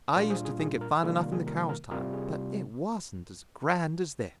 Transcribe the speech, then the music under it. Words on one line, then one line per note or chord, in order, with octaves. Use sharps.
I used to think it fine enough in the Carrolls' time, but it wasn't as grand as this.
A#2 G3 D4 F4 A#4 D5
G#4 C5
G#4
G#4
A#4
C3 D#3 G3 A#3 F4 G#4
A#4
G#4
A#4
A#4
C3 G3 C4 F4 A#4
G#4